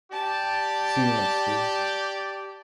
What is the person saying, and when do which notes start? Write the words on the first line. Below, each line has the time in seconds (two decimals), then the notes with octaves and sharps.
See you next year.
0.13 G4 D5 A5